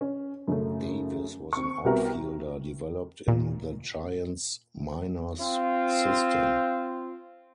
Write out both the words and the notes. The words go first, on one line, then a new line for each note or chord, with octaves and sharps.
Davis was an outfielder developed in the Giants minors system.
C#4
F#2 C#3 A3
C4 C#6
C2 B3 F#4 G4 A#4 E5
A#2
C4 F4